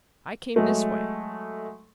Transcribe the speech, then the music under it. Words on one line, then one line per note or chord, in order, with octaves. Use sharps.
I came this way.
F#3 G#3 A3